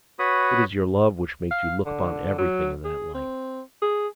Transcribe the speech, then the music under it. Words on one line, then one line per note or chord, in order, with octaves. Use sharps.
"It is your love which makes you look upon everything in that light."
F#4 B4 C#5 B5 D#6
F5
D3
F#3
G#4
C4
G#4